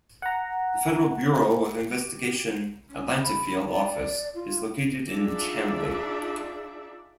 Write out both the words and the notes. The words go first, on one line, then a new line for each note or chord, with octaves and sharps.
The Federal Bureau of Investigation Atlanta Field Office is located in Chamblee.
F#5 A#5
G4
C#4
B5
D5
F4
D4 D#4 F4 G#4 D5 E5